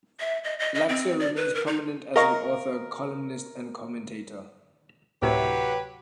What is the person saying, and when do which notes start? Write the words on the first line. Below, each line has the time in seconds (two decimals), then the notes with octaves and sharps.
Laxer remains prominent as an author, columnist and commentator.
0.20 E5
0.44 D#5
0.60 D#5
0.75 D#5
0.89 C4
1.20 D5
1.36 B4
1.55 A#4
1.67 D#4
2.16 A#4 D#5 F5 A#5 C#6
5.22 D2 A2 C3 F#3 G4 B4